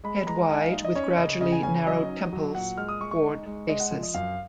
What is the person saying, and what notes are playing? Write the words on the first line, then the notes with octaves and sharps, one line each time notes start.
Head wide with gradually narrowed temples toward bases.
G#3 B5
G#3 A#5
D#4 G#5
F5
D#4 D#5
D#5
C#4 C#5
C#3 D#5
C#3 D#5
G#5
C#4 G#5
G#5
F#3 D#5
D#4
F#3
A#2 F#5
G#3 F6
D#6
G#3 C#6
C#6
D#4
G#3
G#3 D#5
F#5
F3
D#5
F#2 F5